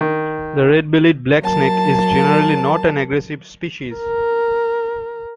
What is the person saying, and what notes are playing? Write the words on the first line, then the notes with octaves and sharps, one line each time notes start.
The red-bellied black snake is generally not an aggressive species.
D#3
F#3 A#3 A5
A#4